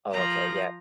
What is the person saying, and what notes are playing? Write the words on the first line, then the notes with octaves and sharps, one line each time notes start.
Oh, okay, yeah,
F3 A#5